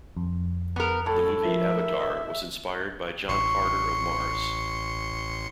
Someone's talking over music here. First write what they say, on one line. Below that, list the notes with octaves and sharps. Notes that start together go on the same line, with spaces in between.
The movie "Avatar" was inspired by John Carter of Mars.
F2
B3 A#4
A2 A4
F3 A#4 E5
D#5
A1 C6 C#6 C#7